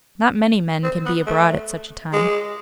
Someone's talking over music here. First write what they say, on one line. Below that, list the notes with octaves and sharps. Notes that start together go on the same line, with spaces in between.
Not many men can be abroad at such a time.
C4
B3
A3
G#3